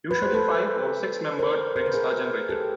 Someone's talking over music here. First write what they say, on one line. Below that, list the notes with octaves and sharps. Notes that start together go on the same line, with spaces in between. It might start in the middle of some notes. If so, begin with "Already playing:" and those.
Usually five- or six-membered rings are generated.
B4
C5
A4 B4
A#4 C5
A#4 C5
B4
G#4 A#4
G4 A4